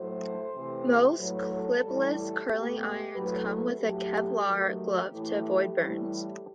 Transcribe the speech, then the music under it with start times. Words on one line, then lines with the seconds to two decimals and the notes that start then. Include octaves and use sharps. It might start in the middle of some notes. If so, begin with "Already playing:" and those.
Most clipless curling irons come with a Kevlar glove to avoid burns.
Already playing: A2 F#3 A3 C5
0.52 C3 E3 A3
1.17 A2 F#3 A3 B4
1.51 A4
1.83 A2 E3 G3
2.49 B2 A3 G4
3.15 A2 F#3 A3 B4
3.47 B4
3.80 A2 F#3 A3 G4
4.46 D#3 F#3 A3 G4
5.11 A2 E3 A3
5.78 A2 E3 G3